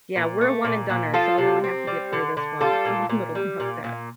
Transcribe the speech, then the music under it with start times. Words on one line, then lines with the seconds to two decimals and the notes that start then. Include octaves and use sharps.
Yeah, we're a one and doner, so we only have to get through this one one little rough patch.
0.16 A#2
0.41 A3
0.65 A#2
0.90 A#2
1.14 F3 F4 A4
1.38 C3
1.64 C4
1.87 G3
2.13 D3
2.37 D3
2.61 G3 F4 A4
2.85 A#2
3.10 A#2
3.35 G3
3.60 A#2
3.84 A#2